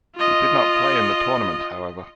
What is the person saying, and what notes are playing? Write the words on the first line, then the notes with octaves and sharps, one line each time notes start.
He did not play in the tournament, however.
F4 D#5